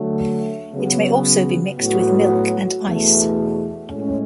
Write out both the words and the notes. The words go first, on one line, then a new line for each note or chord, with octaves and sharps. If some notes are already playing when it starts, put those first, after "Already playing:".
It may also be mixed with milk and ice.
Already playing: D3 F#3 A3
C#3 F#3 B3
A2 F#3 B3 F#4
E2 B2 A3
A2 G#3 C#4